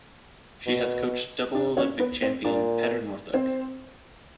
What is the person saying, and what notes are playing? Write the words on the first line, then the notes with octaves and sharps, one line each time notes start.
She has coached double Olympic champion Petter Northug.
B2
D4 D5
C#4 C#5
B3 B4
C4 C5
A#2 D4 D5
C4 C5